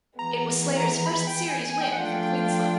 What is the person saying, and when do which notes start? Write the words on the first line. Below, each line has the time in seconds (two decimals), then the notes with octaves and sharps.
It was Slater's first series win for Queensland.
0.19 E3 G#3 B3 A#5
0.76 A#5
1.06 B5
1.27 G5
1.49 G#5
1.70 G#5
1.81 G5
1.92 F3 A3 D4 F4 F#5
2.04 G5